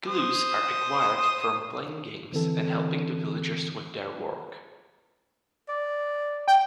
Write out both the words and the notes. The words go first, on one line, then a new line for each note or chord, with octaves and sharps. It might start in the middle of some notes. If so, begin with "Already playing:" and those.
Clues are acquired from playing games and helping the villagers with their work.
C5 D#6
D3 E3 C4 A4
D5
G5